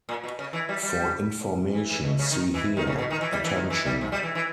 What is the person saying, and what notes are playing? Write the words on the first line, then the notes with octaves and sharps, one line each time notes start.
For information, see here Attention!
A#2
B2
C#3
E3
G3
G3
E3
E3
B2
C#3
D#3
E3
D#3
C#3
B2
D#3
E3
G3
E3
D#3
E3
G3
G#2
G3
E3
E3